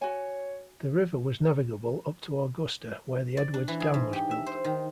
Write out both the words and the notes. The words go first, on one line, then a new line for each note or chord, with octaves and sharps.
The river was navigable up to Augusta where the Edwards Dam was built.
F#4 C#5 G#5
D5
D4
E3
G#4
G#2
G4
E5
C5
D#3